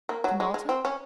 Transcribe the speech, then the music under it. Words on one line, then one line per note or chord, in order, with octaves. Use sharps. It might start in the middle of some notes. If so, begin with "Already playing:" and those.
"To Malta?"
A#3
F#3
G#3
G#3
C4
C#4